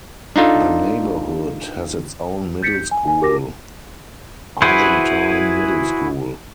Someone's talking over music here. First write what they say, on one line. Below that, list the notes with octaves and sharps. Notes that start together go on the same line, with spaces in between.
The neighborhood has its own middle school, Argentine Middle School.
D4 D#4 F4 A4
G6 A6 B6 C#7
G6
G#5
G#5
G4 A#4 D6 A#6
E4 F#4 G#4 B4 C5